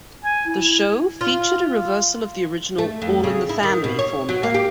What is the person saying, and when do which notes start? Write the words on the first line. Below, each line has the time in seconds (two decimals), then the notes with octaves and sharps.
The show featured a reversal of the original "All in the Family" formula.
0.25 G#5
0.46 E4
1.21 F4
2.78 A3
3.02 F2
3.24 C#3
3.49 E4
3.63 D#3
3.84 B2
3.99 C#5
4.29 F#3
4.43 A#3
4.54 G4